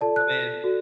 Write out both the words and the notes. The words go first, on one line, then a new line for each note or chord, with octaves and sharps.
I mean,
F4 A4 D5 A5
F#6
F#4 A4 D5